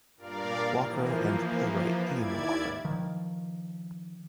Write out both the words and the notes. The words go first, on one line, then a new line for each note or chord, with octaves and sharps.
Walker and the playwright Ian Walker.
G2 A#2 A#4 D5 F5
E3 F3 A#3
D#2 E4 D5 G#6
D#3 F3